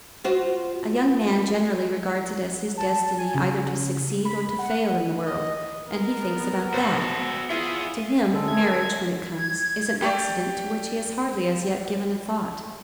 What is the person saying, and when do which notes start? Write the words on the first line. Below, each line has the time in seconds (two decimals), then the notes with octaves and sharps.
A young man generally regards it as his destiny either to succeed or to fail in the world, and he thinks about that. To him marriage, when it comes, is an accident to which he has hardly as yet given a thought.
0.24 F4 F#4 C5
2.77 A5
3.18 G#5
3.35 C#3
4.25 B5
4.59 F#5
5.26 D#5
5.87 B3 A#4
6.74 G#1 F#4 A4 C5 A6
7.50 B3 E4 F4 G#4 E5
8.34 D3 G#3 C#4 A4
8.48 E5 G#6
8.59 A#4
9.36 G#6
10.02 G4 D5